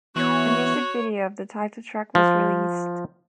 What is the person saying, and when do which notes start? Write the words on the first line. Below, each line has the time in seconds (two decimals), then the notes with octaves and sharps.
A music video of the title track was released.
0.16 E3 B3 F#4 C#5
2.15 F3